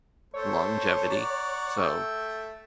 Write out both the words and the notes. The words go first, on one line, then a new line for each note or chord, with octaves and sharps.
longevity. So,
A3 A4 C5 C#5
D5 F#5 A#5
A3 E5 G5